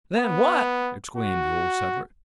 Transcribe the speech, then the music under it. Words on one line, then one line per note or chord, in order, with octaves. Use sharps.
"Than what!" exclaimed the Old Settler.
B3
F#4